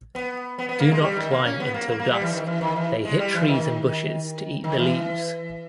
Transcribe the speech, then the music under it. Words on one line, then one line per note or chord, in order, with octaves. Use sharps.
Do not climb until dusk they hit trees and bushes to eat the leaves.
B3
B3
B3
A#3
G#3
G3
D#3
A#3
C#4
B3
A#3
A#3
A#3
G3
E3
D#3
E3
D#3
E3
G#3
G3
E3
D#3
D#3
E3